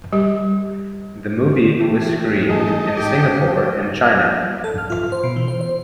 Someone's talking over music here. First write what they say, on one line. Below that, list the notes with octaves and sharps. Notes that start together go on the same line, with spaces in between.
The movie was screened in Singapore and China.
G3 G4
E3 A3 G4
A1 D#4 G#4 A4 D#5 G#5
G4
A4
F6
F4
C5
B2
E3
C5
C5